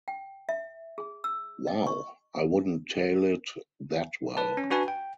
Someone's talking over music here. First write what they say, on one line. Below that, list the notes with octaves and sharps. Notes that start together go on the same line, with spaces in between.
Wow, i wouldn't tale it that well.
G5
E5
G#4
E6
D#5
C#6
B4 A5
C#4
D4 F#4 B4 G#5 A5
G5